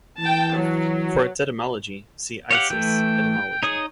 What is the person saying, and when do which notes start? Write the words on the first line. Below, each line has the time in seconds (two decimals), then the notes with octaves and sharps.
For its etymology see Isis - Etymology.
0.20 E3 G5 A5
0.53 F#3
2.51 G4 C#5 F5 F#5
2.70 E3 A3 G5
3.63 D#4 G#4 C#5 D#6